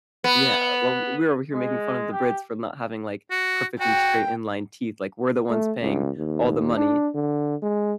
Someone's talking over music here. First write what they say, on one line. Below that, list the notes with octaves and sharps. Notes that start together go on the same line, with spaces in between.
Yeah, well, we're over here making fun of the Brits for not having, like, perfectly straight inline teeth, like, we're the ones paying all the money
B3
G#3
G4
F#4
F#4 G5
A3
C#2
D#2
D4
D3
G#3